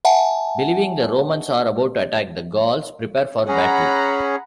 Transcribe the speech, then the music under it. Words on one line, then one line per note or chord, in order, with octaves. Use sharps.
Believing the Romans are about to attack, the Gauls prepare for battle.
E5 F#5 G#5 A5
C#4 G#4 F#5 A#5 B5